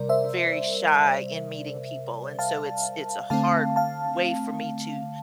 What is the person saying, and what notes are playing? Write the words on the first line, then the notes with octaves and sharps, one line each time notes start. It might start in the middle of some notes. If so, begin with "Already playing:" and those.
very shy in meeting people, and so it's it's a hard way for me to
Already playing: C3 G3 A#4 D5
C5 E5
F5 A5
D3 A3 C4 F5 A5
F5 A5